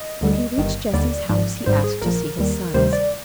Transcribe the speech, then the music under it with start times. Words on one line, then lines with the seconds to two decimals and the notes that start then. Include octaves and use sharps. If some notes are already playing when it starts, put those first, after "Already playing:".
When he reached Jesse's house, he asked to see his sons.
Already playing: D#5
0.21 D2 D3 G3
0.58 G1 G2 D#3
0.93 D#2 D3 G3 D5
1.29 G#1 G#2 F3
1.66 G#1 G#2 G3 C5
1.84 G#4
2.01 A#1 A#2 F3 A#4
2.38 D#2 D#3 G3
2.74 D2 C3 D#3 G3 C5
2.93 D5